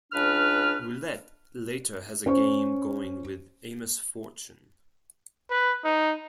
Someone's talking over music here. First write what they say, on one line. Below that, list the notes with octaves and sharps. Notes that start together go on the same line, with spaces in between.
Roulette later has a game going with Amos Fortune.
C#2 D4 B4 F6
C#4 C5 C#6
B4
D#4